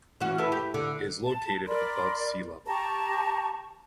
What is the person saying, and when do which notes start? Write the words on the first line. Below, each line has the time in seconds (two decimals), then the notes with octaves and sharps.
It is located above sea level.
0.21 E3 C#4 F#4
0.38 E4 A4 B4
0.52 G4
0.74 D3
1.24 A5
1.67 A#4 D5 B5 C6
2.66 G4 A5 A#5 C#6